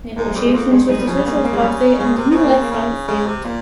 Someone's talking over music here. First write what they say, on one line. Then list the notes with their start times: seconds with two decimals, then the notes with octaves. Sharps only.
Negotiations with the Socialist Party and the new Left Front failed.
0.16 G#2 A#3
0.26 G#3
0.35 F2 G3
0.44 G#3
0.54 F2 A#3
0.71 G2 G#3
0.89 D#3 G#3
0.98 G3
1.07 C#3 F3
1.17 G3
1.26 C#3 A#3
1.35 G#3
1.45 A#3
1.53 G#3
1.62 G3
1.99 C#3 G#3
2.17 C3
2.31 D#3
2.35 C#3 C4
2.44 A#3
2.54 C4
2.62 A#3
2.71 C#3
3.08 C#3 G#3
3.26 C3
3.44 A#2 A#3